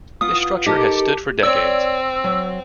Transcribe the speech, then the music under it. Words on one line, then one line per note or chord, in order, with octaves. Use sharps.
This structure has stood for decades.
B3 F4 D#6
D#4 G4 A4 A#4
C4 C#5 D5 E6
F#3